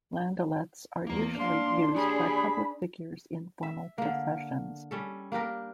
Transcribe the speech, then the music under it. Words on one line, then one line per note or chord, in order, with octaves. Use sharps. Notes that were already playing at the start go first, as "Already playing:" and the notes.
Landaulets are usually used by public figures in formal processions.
E2 A#3 A#5
D4 F5 C6
G4 G#4 C#5 B5
E5
D3 A#3
G3 C#4 A4
A#3 D4 G4 A#4